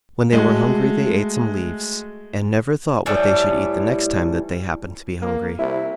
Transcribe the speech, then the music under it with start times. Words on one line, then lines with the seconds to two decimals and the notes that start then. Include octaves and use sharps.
When they were hungry they ate some leaves, and never thought what they should eat the next time that they happened to be hungry.
0.33 G#3 A3 F#4
3.06 A2 E3 G3
5.22 A#3
5.59 C2 E4